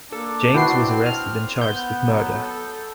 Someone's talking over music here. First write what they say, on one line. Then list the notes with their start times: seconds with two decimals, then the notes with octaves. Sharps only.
James was arrested and charged with murder.
0.12 A#3 D4 A4
0.54 C4 E4 F#4 B4 G5 C7
1.06 F6
1.61 B3 G6
2.08 F#3
2.37 A4